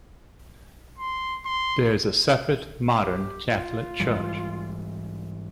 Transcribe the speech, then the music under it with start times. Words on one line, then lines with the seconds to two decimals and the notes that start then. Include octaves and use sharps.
There is a separate, modern Catholic Church.
0.98 C6
1.45 C6
3.02 G4
3.51 F4
4.00 G#2 E3 G3